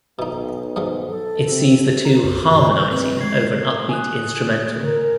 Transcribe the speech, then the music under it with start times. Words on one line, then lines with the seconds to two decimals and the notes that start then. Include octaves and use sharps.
It sees the two "harmonizing over an upbeat instrumental".
0.19 B1 B2 D#4
0.76 G#2 F#3 G#3
1.09 A4
1.52 C3
2.05 A#5
2.23 B1 F#2
2.49 G2 B2 F#4
2.76 D#3 G6
2.91 C4 B4
3.21 G#3 G#6 C7
3.89 G#5 D#6 F#6
4.84 A#4